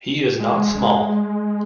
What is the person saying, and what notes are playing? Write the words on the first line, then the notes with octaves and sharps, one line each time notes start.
He is not small.
G#3